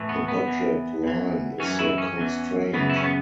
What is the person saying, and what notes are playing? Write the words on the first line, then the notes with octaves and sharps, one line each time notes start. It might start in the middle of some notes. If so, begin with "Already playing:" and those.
The budget line is the constraint.
Already playing: A2 E3
B3
B3
E2 E3
E2 E3
F#2 E3 C#4
E4
C#4
E2 E3
F#2 C#3 E3 B3
E4
C#4
B3